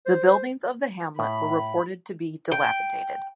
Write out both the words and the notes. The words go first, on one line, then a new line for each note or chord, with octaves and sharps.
The buildings of the hamlet were reported to be dilapidated.
C5
A2 B5
G5